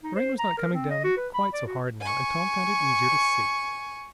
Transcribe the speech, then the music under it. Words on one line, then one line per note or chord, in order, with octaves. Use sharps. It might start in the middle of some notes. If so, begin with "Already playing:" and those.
The rain was not coming down quite so hard now, and Tom found it easier to see.
D#4
C5
A#5
A#4
C4
D#5
F#4
B4
B5
D5
F#4
G#5 C#6